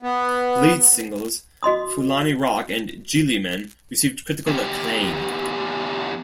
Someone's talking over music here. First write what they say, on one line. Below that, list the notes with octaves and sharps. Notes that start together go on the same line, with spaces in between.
The lead singles, "Fulani Rock" and "Gilli Men", received critical acclaim.
B3
F#4 D#5 C6 D#6
E2 G4